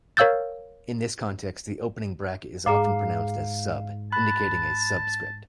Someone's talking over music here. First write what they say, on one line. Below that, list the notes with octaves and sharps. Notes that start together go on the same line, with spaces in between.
In this context, the opening bracket is often pronounced as "sub", indicating a "sub"script.
A#4 C#5 F5 E6 G6 A6
G#2 G#4 F5 A#5 D6
A5 B5 F#6